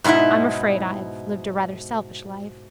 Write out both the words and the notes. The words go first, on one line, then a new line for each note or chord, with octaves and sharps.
I'm afraid I've lived a rather selfish life.
G#2 B2 C4 D#4 E4